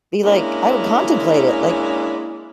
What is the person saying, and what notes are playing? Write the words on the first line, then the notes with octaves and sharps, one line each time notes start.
be like I would contemplate it, like,
G#3 A#3 C#4 D4 E4